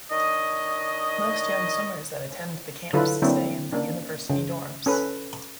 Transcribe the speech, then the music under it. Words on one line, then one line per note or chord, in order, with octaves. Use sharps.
Most young swimmers that attend the camps stay in the University dorms.
D#3 D4 C#5 D#5
D3 F#3 E4 F4 A4 B4
D3 F#3 A#3 C4 D4 E4
A#3 C#4 D4
C#3
C#4 A4 B4